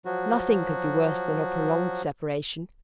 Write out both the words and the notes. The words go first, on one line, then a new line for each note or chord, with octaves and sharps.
Nothing could be worse than a prolonged separation.
F3 F#3 F#4